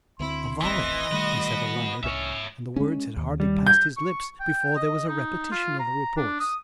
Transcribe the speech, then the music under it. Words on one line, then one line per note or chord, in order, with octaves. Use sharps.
"A volley!" he said aloud, and the words had hardly passed his lips before there was a repetition of the reports.
D2 B3 C4 E4 C6
D#1 A1 E3 C4 D#5 D#6 A#6
D#3 G3 A3 F#4 B4
C2 C#4 C#5 E5
G#3 C#4
D#2
G3
G6
C#6
G5
D#5
D#4
F4
A#5
D4
D#6